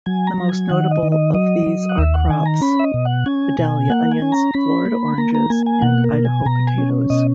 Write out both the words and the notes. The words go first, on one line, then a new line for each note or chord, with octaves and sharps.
The most notable of these are crops: Vidalia onions, Florida oranges, and Idaho potatoes.
F#3 G#5
A#5
F#3
G#5
D#3 F#5
D#5
D#3
D#5
F#3 D#5
F#3
F#5
D#2 E5
F#5
D#3 G#5
A#5
C#4 B5
E5
D#5
B2
F#5
C#4 G#5
B2
A#3 F#5
G#5
C#4
A#5
C#4 B5
A#3
A#3 A#5
A#5
A#3 G#5
G#5
B2 F#5
A#4
B2
G#5
B2 A#5
G#5
C#4
B2 D#5